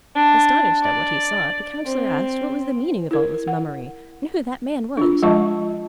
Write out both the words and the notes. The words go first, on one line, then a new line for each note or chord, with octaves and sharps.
Astonished at what he saw, the Councillor asked what was the meaning of all this mummery, and who that man was.
D4
D5
C4
E4 A#4
F#5
D4 F4
F3 G#3 F4 D#5 A5 C#6